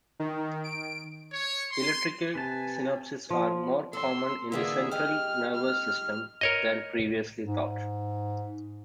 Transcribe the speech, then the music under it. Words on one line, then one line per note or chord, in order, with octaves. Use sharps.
Electrical synapses are more common in the central nervous system than previously thought.
D#3
D7
C#5
C6
C3 B4 G#5 A5
F3
A4 C6 E6
D3 E3 A#3 G#4 E5
G4 D#5 F6
F6
A#4 C#5 D#5
G#2